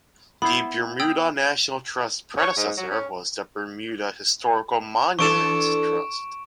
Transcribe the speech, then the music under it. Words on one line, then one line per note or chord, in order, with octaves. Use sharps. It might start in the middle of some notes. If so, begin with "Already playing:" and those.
The Burmuda National Trust's predecessor was the Bermuda Historical Monuments Trust.
B3 E4 C5 B5
G5 D#6 E6
C#5
G#2
F#3
C#4
E3 D4 A4 C#6 D7 E7